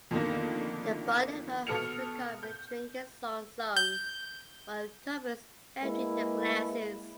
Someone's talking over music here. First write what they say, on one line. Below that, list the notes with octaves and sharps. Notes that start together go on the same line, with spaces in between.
"The Barley Mow" has become a drinking song sung while comrades empty their glasses.
F2 B2 D3 D#3 A#3
B2 B3 A4 F6 C#7 F7
G6
G6
G#3 A#3 E4 B4